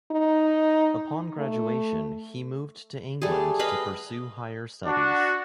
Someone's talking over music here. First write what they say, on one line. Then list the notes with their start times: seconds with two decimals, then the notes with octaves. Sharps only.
Upon graduation, he moved to England to pursue higher studies.
0.12 D#4
1.39 A3
3.22 G3 A3 G#4
3.59 B4 D#5 F5 B5
4.86 D4 F#4